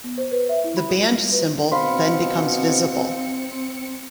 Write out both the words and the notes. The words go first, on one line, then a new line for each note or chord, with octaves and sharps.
The band symbol then becomes visible.
B3
C5
B4
E5
E4
B5
F#4
F4
G3
B4
B2 C4 C5 F5 B5 C6 C#7